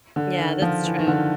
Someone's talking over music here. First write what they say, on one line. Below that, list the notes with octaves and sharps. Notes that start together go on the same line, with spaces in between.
Yeah, that's true.
D3
D#3
F3
E3
D#3
D3